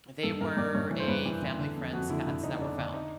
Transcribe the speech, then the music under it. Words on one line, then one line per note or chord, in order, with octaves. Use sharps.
they were a family friend's cats that were found
G2 A4
G2 A#4
G2 D5
G2 C#5
E3
C5
G2 B4
E3
E3
D3
F2
F2 F#4
D3 E4
D3 E4
D3 D#4
D3 D4
D3 D4
D#4